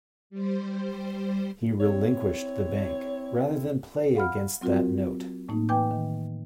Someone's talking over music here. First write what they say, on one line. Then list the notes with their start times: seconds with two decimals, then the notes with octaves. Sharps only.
He relinquished the bank rather than play against that note.
0.30 G3 C5
1.80 C4 E4 C#5
4.15 F5 F#5 B5 F6
4.61 F#3 C4 F4 F#4 A#4
5.49 A2 A3 A#3 D#4
5.69 E3 B4 G5 G#5 D6 G6
5.91 D#3